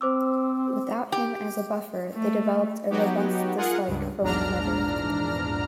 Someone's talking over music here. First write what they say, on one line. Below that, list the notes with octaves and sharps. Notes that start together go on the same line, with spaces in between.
Without him as a buffer, they developed a robust dislike for one another.
C4 C5 D6 E6
G4
A3
F#3 B3 D#4 F#4 G4
F4 G#4 A#4 F#5
C#2 G2
A#1 E2 G#2 D4 A#5 F6